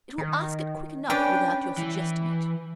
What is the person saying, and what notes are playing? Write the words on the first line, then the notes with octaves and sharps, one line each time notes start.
It will ask it quick enough without your suggesting it.
D#3
C#4 D4 B4 D5 G5
E3